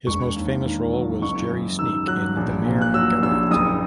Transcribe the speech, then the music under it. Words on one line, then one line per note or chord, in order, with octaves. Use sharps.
His most famous role was Jerry Sneak in "The Mayor of Garratt".
E1 C#6
D#2
D#3
F#3
F#1 C#6
F#2
D#3 E6
F#3 F#6
A#1
A#2
F#6
F#3 E6
A#1 E6
F#1 D#6